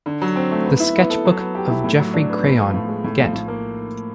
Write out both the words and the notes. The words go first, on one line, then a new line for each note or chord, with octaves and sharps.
The Sketch Book of Geoffrey Crayon, Gent.
D3
F#3
C4
A3
B3
E4
B3
A4
F#3
B3
G4
E4
A2
F#3
D4
B3
A2
F3
A2
G#3
A2
F3
A2
A#3